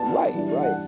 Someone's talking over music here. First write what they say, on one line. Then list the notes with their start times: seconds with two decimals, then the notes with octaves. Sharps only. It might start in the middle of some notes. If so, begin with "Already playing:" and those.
Right, right.
Already playing: B3 F#4 B4 D5 A5
0.34 E3 G3 D4
0.63 F#5